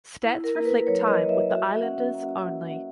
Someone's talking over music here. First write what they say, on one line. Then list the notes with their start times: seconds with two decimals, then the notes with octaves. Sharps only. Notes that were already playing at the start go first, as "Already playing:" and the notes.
Stats reflect time with the Islanders only.
0.23 E4
0.44 A#4
0.55 A#3
0.65 B4
0.87 F#3 C#5
1.07 D#5
1.18 F#3
1.29 E5
1.50 F#4 E5
1.82 C#4 F#5
2.15 A#3
2.46 A#3